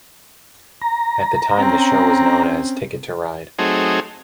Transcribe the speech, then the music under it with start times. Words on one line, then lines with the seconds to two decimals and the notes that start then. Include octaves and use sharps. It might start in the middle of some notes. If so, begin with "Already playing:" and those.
At the time the show was known as Ticket To Ride.
0.82 A#5
1.58 C4 C#4
3.59 F#3 A3 C4 D#4 G#4